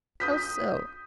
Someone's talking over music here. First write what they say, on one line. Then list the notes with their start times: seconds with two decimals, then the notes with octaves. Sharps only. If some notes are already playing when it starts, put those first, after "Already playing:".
"How so?"
0.20 D#6 G6 B6